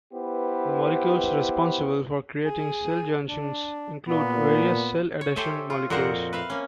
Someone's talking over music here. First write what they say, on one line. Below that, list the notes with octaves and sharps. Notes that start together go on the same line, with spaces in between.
The molecules responsible for creating cell junctions include various cell adhesion molecules.
B3 E4 G4 B4 C5
G#4
D4
A#2 B3
C#5
G4 A4 C5 C#5 E5 G#5
F4
F2 A#2 F#4 A#4 C5 F#5
B4 E5 F5
A#3 C#4